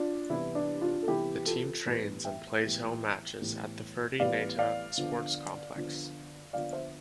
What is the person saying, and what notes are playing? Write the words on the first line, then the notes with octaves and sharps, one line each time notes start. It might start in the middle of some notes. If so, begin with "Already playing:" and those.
The team trains and plays home matches at the Ferdi Neita Sports Complex.
Already playing: D4 F4
C3 E3 G3 B3 E4
D4
D4 F4
A4
C3 E3 G3 B3 E4 G4
F4 A4
A2 E3 G3 B3 G4 B4
E5 G5
A2 E3 G3 B3
A2 E3 G3 B3
A2 E3 G3 B3 D5 F5
D5 F5
D3 F3 B3
D3 F3 B3
D3 F3 B3 D5 F5
C5 E5